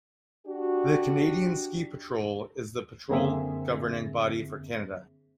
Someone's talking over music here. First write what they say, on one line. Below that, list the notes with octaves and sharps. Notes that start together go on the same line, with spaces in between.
The Canadian Ski Patrol is the patrol governing body for Canada.
D4 F#4 G4
F#2 D3 A#3 C4 G#4 E5